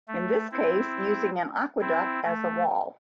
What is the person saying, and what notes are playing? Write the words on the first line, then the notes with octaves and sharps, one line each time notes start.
In this case using an aqueduct as a wall.
A3
C4 E4
C4 E4
A3